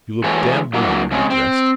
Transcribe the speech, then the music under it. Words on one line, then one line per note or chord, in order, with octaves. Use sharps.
You look damn well when you're dressed.
E3 G#3 A3 F#4 C#5
G2 F#3 A#3 E4
C#3 G#3 C4 C#4
C4